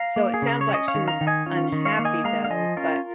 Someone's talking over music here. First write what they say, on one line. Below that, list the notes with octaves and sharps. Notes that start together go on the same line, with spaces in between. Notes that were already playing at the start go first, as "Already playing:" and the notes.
So, it sounds like she was unhappy, though, but
Already playing: F5 A#5
A#3
G#4
C#3 A#4
C#5
C#4
D#5
C#5 F5
D#3
F5 A#5
D#3
D#5 G#5
C#4 F4
D#3
C#5 F5
A#3
D#5 G#5
G#3 F5 A#5
F5
F3 D#5 G#5
C#4 F4 A#4